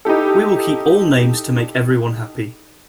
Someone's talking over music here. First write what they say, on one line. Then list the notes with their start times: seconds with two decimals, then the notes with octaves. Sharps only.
We will keep all names to make everyone happy.
0.05 D#4 E4 G4 A4